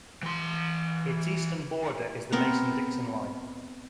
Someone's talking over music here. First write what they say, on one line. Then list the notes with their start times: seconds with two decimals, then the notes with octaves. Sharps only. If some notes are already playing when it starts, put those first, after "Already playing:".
Its eastern border is the Mason-Dixon line.
0.23 E3 C6
2.32 B3 C4 A#4